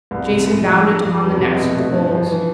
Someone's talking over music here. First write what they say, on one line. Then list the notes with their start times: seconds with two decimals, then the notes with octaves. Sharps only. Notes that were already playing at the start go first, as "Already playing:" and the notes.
Jason bound it upon the necks of the bulls.
0.11 C2
0.29 C3
0.48 A2
0.65 F3
0.83 G2
1.01 F3
1.19 E2
1.37 C3
1.55 B2
1.73 A3
1.90 G2
2.09 F3
2.27 E3